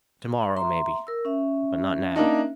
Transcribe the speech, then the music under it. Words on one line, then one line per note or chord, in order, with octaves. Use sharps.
Tomorrow maybe, but not now.
E5 A#5 C6
A#4 E6
C#4 E5
A#3 D4 D#4